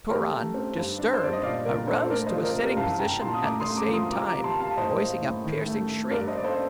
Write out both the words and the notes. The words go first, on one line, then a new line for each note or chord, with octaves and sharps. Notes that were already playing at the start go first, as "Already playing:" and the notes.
Turan, disturbed, arose to a sitting position at the same time voicing a piercing shriek.
A3 G4 A#4
A3
C4
G2
D4
C5
G2 D5
D#5
A#2 D5 F5
A#2 A#4 D5
D4 A4 C5
A3 A#4 D5
C5 D#5
F3
A#4 D5
C3
G4 A#4
C2 F5 A5
C2 G5 A#5
A#2 A5 C6
D#6
A3 A#5 D6
C6 D#6
A3
A#5 D6
F3
C6 D#6
C3 A#5 D6
A#5 D6
C3
A5 C6
C3
F5 A5
A2 C5 D#5
A#3
A2
D#3
A3
A3
G2 A#4 D5
C5 D#5
A#3 D5
A4 C5